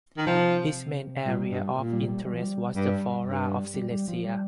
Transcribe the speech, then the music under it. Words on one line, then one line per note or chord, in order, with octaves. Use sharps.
His main area of interest was the flora of Silesia.
D#3
C3 F3
A#2 G3
G2
A#2 A#3
G3
G3
G3
F3
G3
G2 G3
G2
G3
G3
F3
G3